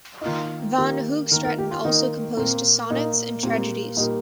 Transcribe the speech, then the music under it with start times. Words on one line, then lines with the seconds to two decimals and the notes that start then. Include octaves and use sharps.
Van Hoogstraten also composed sonnets and tragedies.
0.21 D#4
0.25 D#3 A#3 F4
0.78 D#3 A#3 G4
1.31 D#3 A#4
1.35 A#3
1.45 A#4
1.58 G4
1.71 F4
1.84 D#3 A#3 D#4
2.37 A#2 A#3 C4
2.90 A#2 A#3 D#4
3.43 A#2 G3 A#3 C4
3.97 A#2 G3 A#3 D#4